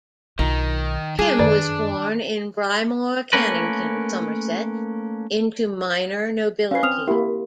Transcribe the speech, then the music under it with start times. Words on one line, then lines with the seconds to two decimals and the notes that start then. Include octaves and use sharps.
Pym was born in Brymore, Cannington, Somerset, into minor nobility.
0.39 B1 D#3 D#4 F4
1.19 G3 D4 G#4
1.39 F#2 D#3 D5
3.33 A3 A#3 C#4 A#4 B4
6.71 C#4 B4 F5 C7
6.83 C4 D#6 F6 F7
7.08 A#3 E4 G4 A#4